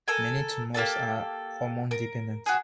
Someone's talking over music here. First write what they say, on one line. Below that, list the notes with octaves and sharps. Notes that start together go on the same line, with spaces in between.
Many tumors are hormone dependent.
A4 A#4 G#5
A#3 G4 A4 A5
A#4
F#4 G#4